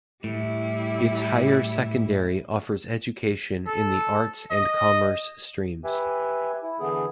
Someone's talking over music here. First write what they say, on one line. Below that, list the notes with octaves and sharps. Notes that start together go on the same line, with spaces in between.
Its higher secondary offers education in the Arts and Commerce streams.
A2 G3 E4
A4
D#5
G4 B4 E5 G#5
E4
D3 E3 B3 G#4